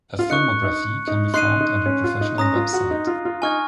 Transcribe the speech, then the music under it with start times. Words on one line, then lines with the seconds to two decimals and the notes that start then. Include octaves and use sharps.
A filmography can be found on her professional website.
0.19 F4
0.30 D#4 C#6 F#6 C#7
0.64 D#4
1.07 D#4
1.34 D#4 C6 F#6 C7 D#7
1.61 D#4
1.86 C#4
2.04 F4
2.21 D#4
2.38 C#4 A#5 D#6 A#6
2.56 F4
2.73 F#4
2.91 D#4
3.07 F4
3.25 F4
3.42 D#4 G#5 C#6 F6 G#6